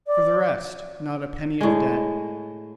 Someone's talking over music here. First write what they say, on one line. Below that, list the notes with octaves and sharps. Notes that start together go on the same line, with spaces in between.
For the rest, not a penny of debt.
D5
A2 G#3